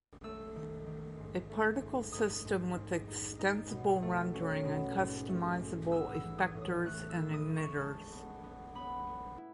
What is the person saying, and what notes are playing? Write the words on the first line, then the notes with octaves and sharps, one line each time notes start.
A particle system with extensible rendering and customizable effectors and emitters.
A3 E6
D#3
D#3
G#2
A3
G#2
G#2 D#6
G#2
G#2
D#4
D#4
B2
A3
C#4
B2
G#2
A3
G#2
B3 E6
E6
E3
D#6
A2
D#6
A3 F#6
E6
E4
D#6
A3
C#6
G#3 A5
B3
B3
B3 B5
B3
E4